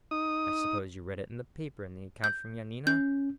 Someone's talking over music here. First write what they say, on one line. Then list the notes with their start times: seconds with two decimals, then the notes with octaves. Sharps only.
"I suppose you read it in the paper in the account from Yanina?"
0.11 D#4 D#6
2.24 G6
2.87 C#4 G6